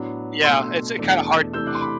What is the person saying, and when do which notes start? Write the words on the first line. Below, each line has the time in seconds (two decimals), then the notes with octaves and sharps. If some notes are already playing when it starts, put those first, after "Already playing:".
Yeah, it's, uh, kinda hard ha
Already playing: A2 F#3 B3 D4
0.44 B2 A3 D4 C6 E6
0.98 E2 B2 A3 D4
1.53 C3 E3 A3 D4 E6 G6
1.67 D6 F#6
1.75 C6
1.81 B5 D6